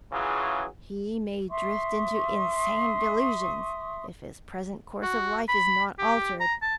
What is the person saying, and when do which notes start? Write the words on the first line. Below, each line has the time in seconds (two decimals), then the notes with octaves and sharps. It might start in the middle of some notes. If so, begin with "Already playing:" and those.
He may drift into insane delusions, if his present course of life is not altered.
0.12 C#3 E3 F#3 F4 G#4
1.50 E5 C6 C#6 D#6
5.03 F#4
5.48 B5
5.99 G4
6.40 A#5
6.62 A5